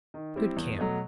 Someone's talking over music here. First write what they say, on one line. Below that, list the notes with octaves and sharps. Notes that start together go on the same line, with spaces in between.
Good camp.
D#3
G3 C4 E4
E2
B2 F#3 A3